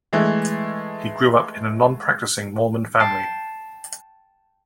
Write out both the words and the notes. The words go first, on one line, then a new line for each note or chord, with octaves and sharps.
He grew up in a nonpracticing Mormon family.
E3 G#3 A3
G5 A5 C7